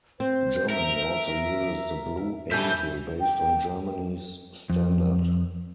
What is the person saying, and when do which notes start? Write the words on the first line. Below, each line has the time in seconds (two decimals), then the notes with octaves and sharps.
Germany also uses the Blue Angel, based on Germany's standard.
0.20 C4 C5
0.70 A#4 E5
2.52 C#3 B3 A4 E5 G#5 G6
3.21 G5
4.70 F2